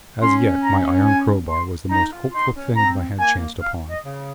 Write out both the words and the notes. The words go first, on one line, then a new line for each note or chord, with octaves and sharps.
As yet my iron crowbar was the most helpful thing I had chanced upon.
C#4 C6
A#5
G#5
C6
D#4 A#5
F4
D#4 C6
C#4
C4 A#5
A#3 G#5
F5
D#5
C#3